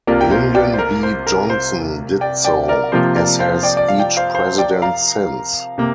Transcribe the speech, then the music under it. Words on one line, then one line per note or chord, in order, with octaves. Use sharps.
Lyndon B. Johnson did so, as has each President since.
C2 C3 A#3 F4 A#4 D5
G5
C5 F5
D5 G5
C5
A#4
C5
A#4
C5
D5 G5
D5 G5
A#4 D5
C3 F3 A#3 F4 C5
A#4 D5
C5 F5
D5 G5
D5
F5
D5 G5
C5 F5
C5 F5
D5 G5
F5 A#5
C3 A#3